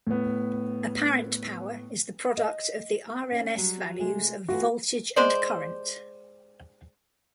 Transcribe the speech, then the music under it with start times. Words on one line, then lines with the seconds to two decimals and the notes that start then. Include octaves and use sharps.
Apparent power is the product of the rms values of voltage and current.
0.07 A2 B3
2.37 D#5
3.32 C#4
3.57 F#3 G3
3.99 C3 G#3 A3
4.48 E3 A3 F4 F#4
5.16 G#3 C5 D5